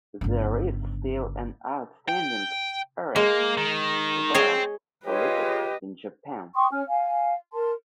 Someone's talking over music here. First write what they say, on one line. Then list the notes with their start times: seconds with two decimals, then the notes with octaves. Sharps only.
There is still an outstanding arrest warrant for Lucas in Japan.
0.21 G1 C#3
2.09 G5
3.16 G#3 A#3
3.58 D#3
4.34 C4 G#4 C#5 D#5
5.06 F4 G4 G#4 B4 C#5 D#5
6.55 G5 C6 C#6 D#6
6.72 C#4 G#5 F6
6.88 F5 G#5
7.53 A#4 A5 C6